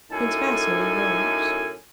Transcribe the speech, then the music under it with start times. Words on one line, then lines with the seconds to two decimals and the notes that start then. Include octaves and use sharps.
Prince Vasili rose.
0.12 F#2 A2 D#4 A4 G#5